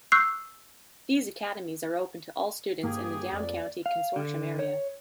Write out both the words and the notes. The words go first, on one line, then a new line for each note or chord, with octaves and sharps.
These academies are open to all students in the Downcounty Consortium area.
C#6 E6 F#6 G6 C7
G2 A#3 G4 G#4
F2 D5
F5
D3
C#5